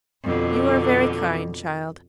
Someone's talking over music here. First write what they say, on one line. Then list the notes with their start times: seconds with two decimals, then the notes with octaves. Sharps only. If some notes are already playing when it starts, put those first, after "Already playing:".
'You are very kind, child.
0.23 F2 B2 D3